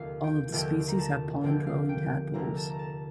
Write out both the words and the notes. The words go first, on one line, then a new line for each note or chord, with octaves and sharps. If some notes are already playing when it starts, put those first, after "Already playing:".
All of the species have pond-dwelling tadpoles.
Already playing: F1 D#2 D3 F5
G5
F1 D#2 D3 G5
A#5
A5
F1 D#2 D3 F3 C4 G5
F5
G5
F1 D#2 D3 F3 C4 A#5
A5
A#5
A5